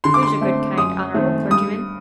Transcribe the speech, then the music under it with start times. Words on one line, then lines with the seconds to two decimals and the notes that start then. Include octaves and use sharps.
There's a good, kind, honourable clergyman.'
0.04 D3 C6
0.14 D6
0.23 C6
0.41 A3 C4
0.78 F#2 D#6
1.14 D#3 A3 C4
1.50 G2 D#6